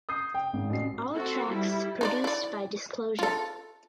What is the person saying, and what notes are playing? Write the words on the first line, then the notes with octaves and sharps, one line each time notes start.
All tracks produced by Disclosure.
D#6 G6 C7
G5
G#1
A1 F#4 C7
C4 F#4 A4
G3 E4
D#4 C5 D5
E4 D5
F4 A4